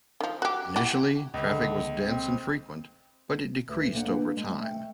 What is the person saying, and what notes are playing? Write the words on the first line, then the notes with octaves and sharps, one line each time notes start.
Initially, traffic was dense and frequent, but it decreased over time.
D#3 F3
F#4 G4
E4 F#4 G4
C#2 D3
C4
D2 B4
D2 D3 A#3 C5 D5 F#5
A#3 D4 B4
G#3
A3 G5